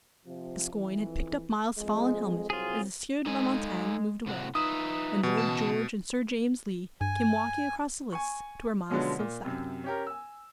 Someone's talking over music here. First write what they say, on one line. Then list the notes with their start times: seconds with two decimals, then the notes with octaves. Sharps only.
Gascoyne had picked up Myles's fallen helmet as the Sieur de la Montaigne moved away, and Lord George and Sir James Lee came walking across the lists to where Myles still sat.
0.25 C3 F3
0.72 F2 E3
1.79 F2 G#3
2.50 C2 F#3 C4 F4 G#4
3.26 G#3 D#4 A4 G#5
4.26 A2 C3 F#4
4.55 D#4 F4 B4 E5 D#6
5.23 B2 E3
5.38 C#3 A5
7.01 G2 G#5
8.13 G#5 C#6
8.90 B2 D3 F3 F#3 G#3 C#4
9.19 A#2
9.44 F#2 C3
9.84 C#4 G4 A#4
10.07 G#5 E6